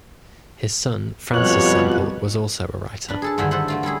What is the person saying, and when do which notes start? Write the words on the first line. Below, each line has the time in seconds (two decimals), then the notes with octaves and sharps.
His son, Francis Sempill, was also a writer.
1.34 F2 B2 G3 F4 C#5 F#6
3.08 D4 B4
3.22 G#4 A4 A5
3.38 G2 D3 D#3 E4 C5 G#5
3.51 A4 B4 C5 F#5
3.68 F#3 A3 F4
3.83 G3 C#4 E4 G#4